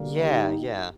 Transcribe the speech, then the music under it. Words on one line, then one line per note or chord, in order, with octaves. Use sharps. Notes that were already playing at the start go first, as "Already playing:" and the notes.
Yeah, yeah.
Already playing: D3 G3 A#3
D#4 G4